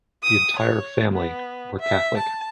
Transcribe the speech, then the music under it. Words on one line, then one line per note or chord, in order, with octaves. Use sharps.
The entire family were Catholic.
D#6
C#5
B3
E5
A5